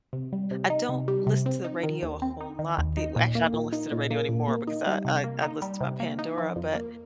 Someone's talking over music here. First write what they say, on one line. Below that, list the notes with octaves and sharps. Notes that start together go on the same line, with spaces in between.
I don't listen to the radio a whole lot. The we actually, I don't listen to the radio anymore because I I I'd listen to my Pandora, but
C3
G3
C3
D#4
C3
G3
C3
C4
D#4
D#3
D#2
C4
D#4
D#3
D#2
D#4
A#2
A#3
A#2
D#4
A#2
A#3
A#2
A#3
D#4
G3
C3
A#3
D#4
G3
C3
A#3
D#4
F3
F2
A#3